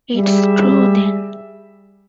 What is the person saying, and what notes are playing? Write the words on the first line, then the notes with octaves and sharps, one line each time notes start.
It’s true, then!
G3 G#4 E5